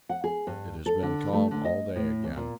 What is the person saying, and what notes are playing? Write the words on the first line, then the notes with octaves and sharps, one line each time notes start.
It has been calm all day again.
F#5
G#4
G2
A4
D3
A3
D3
D#5
A2
E2
A#2